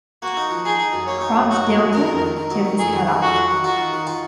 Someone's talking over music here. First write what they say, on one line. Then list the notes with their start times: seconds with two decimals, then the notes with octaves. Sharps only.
Cropped delta - tip is cut off.
0.22 A#3 F#4
0.37 D#4
0.51 F3
0.65 D#4 G#4
0.79 D#4
0.93 F#2
1.07 A#3 C#5
1.21 D#4
1.36 F#2
1.51 D#4 F#4
1.64 F#2
1.79 F#2
1.93 D#3 A#4
2.08 F2
2.22 D#3
2.37 D#3
2.51 F#3
2.65 D#3
2.79 F2 G#4
2.93 D#3
3.07 D#3
3.22 F2 F#4
3.36 F#3
3.51 D#3
3.64 F4 F#4
3.79 D#3
3.93 D#3
4.07 F4